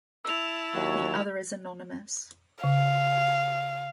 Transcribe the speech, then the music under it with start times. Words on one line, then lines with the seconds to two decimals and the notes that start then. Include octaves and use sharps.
The other is anonymous.
0.25 E4 A5 E6 F7
0.75 D#2 F#3
2.64 C#3 F5